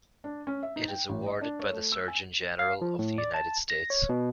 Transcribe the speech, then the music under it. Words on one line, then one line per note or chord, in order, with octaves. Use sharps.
It is awarded by the Surgeon General of the United States.
D4
C#4
E5
D#4
G5
A1
D#5
D4
C#5
A3
E6
G#5
F5
F3
A2
D5
A5
A#6
C#5
B2